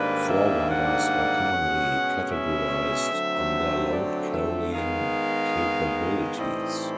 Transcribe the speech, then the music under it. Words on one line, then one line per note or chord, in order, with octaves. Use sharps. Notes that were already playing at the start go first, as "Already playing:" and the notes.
Forwarders are commonly categorised on their load carrying capabilities.
Already playing: G#2 D#3 G3 A#3 D4 B4
E5
F#5
B2 G#3 C#4
E5
D3 F#3 A3 C4
D5
E5
D#3 G#3 B3 F5
A2 E3 G3 C4 D#4 D#5